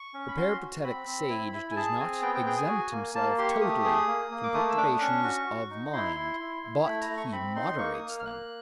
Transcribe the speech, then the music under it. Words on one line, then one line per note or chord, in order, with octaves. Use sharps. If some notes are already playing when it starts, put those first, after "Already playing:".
The Peripatetic sage does not exempt himself totally from perturbations of mind, but he moderates them.
Already playing: C#6
C#4
B5
F#4 C6
F#4
C4 B5
C4
E4
E4
G#5
G#4 A5
C4 G#5
B3 G5
G5
G#4 G5
G#5
F#4
A#3
A#3 A5
G4 C6
C#6
A3 D#6
G#4
A#3
A#3
D6
A3 D#6
E6
D4 D6
D#6
C#4 C#6
F#4
F#4
D#4
E4 C6
E4
E4
E4
A3 B5
A#5
A3
C#6
C4 B5
D#4 C6
A#3 C#6
D#6
A#3
F6
F6
A#3 F#6